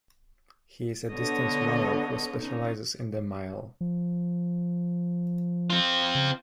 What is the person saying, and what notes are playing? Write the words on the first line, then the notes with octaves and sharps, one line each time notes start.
He is a distance runner who specializes in the Mile.
D3 B3 C#5 D#5
C#4 D#4
F3
C4 F4
C#3